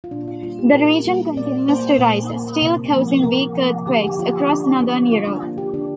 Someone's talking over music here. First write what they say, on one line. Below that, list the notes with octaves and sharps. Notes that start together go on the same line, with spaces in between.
The region continues to rise, still causing weak earthquakes across Northern Europe.
F4
A#2 D4
F4
G3 A#3 F4
G4
A#2 A#4
G3 A#3
A#2 D5
A#3 C5
A#2
A#3
C3
F3 A#3
C3 A#4
F3 A#3
D3 G4
G4
F3 A#3 F4
G4
D3 D4
F3 A#3 C4
D3 F4
D4
A#3 F4
G4
D3 D4